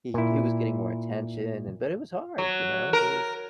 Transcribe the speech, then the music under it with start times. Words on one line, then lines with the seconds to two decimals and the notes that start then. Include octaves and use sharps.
“he he was getting more attention. And but it was hard, you know? It was
0.14 A#2 E4
2.38 F#3
2.93 A#4